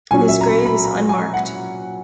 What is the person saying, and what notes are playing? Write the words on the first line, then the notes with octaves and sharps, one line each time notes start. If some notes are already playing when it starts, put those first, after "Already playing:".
His grave is unmarked.
A#2 F#3 C#4 G#5
E5
A#5
B5
B5
A#5
G#5
F#5